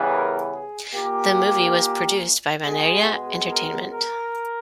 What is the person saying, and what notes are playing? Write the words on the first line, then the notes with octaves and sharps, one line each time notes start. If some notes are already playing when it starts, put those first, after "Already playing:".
The movie was produced by Bandeira Entertainment.
Already playing: C#3 E3 G3 B3
A#4
G#4
A#2 A#3 G4
B2 G#3 B3 G#4
A#4
A#4